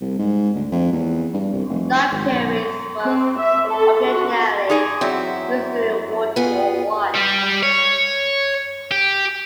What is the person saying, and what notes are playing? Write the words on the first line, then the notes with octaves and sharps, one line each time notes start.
Knobkieries was occasionally used during World War One.
C2
G#2
D2
F2
E2
G2
C2
F1
G#1
B1
C4
E5
A4
F#4
D#4 G#4 D5
E2 F#3 C4 E4
B3 F4 G#4
G3 G4
C#5
G4